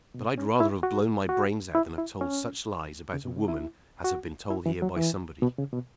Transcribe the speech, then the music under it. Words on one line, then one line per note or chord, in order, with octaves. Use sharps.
But I'd rather have blown my brains out than have told such lies about a woman as have been told here by somebody.
B2
C#4
E4
F#4
F#4
E4
E4
C#4
C#3
B2
C#3
E4
F#4
E4
E3
F#3
E3
B2
C#3
B2